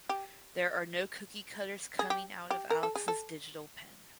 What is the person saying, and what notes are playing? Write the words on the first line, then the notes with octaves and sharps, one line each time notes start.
There are no cookie cutters coming out of Alex’s digital pen!
G4
G#4
G4
G4
A#4
A4
G#4
A4